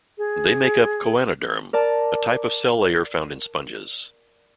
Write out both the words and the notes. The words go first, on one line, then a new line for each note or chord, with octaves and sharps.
They make up Choanoderm, a type of cell layer found in sponges.
G#4
A#4 D5 A5